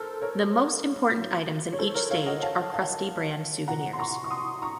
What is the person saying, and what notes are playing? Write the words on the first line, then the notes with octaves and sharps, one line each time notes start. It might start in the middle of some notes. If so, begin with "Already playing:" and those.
The most important items in each stage are Krusty-brand souvenirs.
Already playing: A4 A#4 C5
A#4 C#5
A2 F#3
C#5
A4 C5
A#4 C#5
C#5 F5
D#5 F#5
F5 A5
F5 A5
C3 F3 F#5 A#5
C6
A#5 C#6
C#6
C6 D#6
A#5 C#6